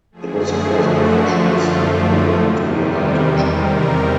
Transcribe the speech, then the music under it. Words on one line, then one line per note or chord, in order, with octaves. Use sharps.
It was the first professional snooker event to be held in China.
F#2 D3 F3 A3 G#4
F#4
F4
E2 C3 D#3 G3
A#4